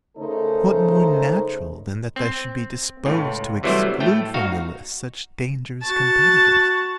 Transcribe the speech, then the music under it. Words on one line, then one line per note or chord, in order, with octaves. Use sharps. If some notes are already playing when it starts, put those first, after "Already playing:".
What more natural than that they should be disposed to exclude from the lists such dangerous competitors?
C#3 A3 D#4 A4 A#4 C5
C4
C#2 A2
C3 E3 F#3 G3 A3 C5
A2 A3 G5
D#4 F#4 F5
F#4 A5